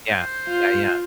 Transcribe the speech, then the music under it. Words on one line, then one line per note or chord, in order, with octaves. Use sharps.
Yeah. Yeah, yeah.
C5
F4